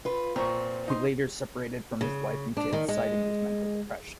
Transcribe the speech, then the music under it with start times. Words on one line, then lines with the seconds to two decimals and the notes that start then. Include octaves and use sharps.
He later separated from his wife and kids citing his mental depression.
0.05 F4 B4
0.36 A#2 C4 A#5 C#6
0.88 D#4 C6
2.01 C#3
2.57 D4
2.73 D#3
2.89 G#3